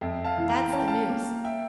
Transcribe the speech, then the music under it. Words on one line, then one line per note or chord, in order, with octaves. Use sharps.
That's the news.
F2 E5 G5
F5 A5
E3
G5 A#5
C#4 A5
G5
F5 A5
A#3
E5 G5